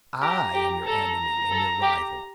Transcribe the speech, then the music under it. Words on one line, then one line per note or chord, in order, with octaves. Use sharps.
I am your enemy and your rival.
G4 A#5
G4
A4 A#5
A4
G4